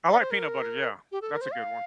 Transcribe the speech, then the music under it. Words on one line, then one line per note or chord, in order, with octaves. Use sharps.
I like peanut butter, yeah. That's a good one.
D5
C5
A#4
G4
A4
A#4
C5
F5